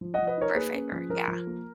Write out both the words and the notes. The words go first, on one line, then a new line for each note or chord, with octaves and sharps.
For a favor, yeah.
F3
F3 D#5 F#5
B4 D#5
D#4 A#4 C#5
A#3 G#4 B4
C#4
F3
F3 A#4
F3
A#3